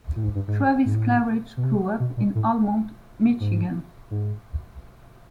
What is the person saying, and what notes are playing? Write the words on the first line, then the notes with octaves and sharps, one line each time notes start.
Travis Claridge grew up in Almont, Michigan.
A2
G#2
G2
G#2
G#2
A2
B2
C3
B2
A#2
A2
G#2
G#2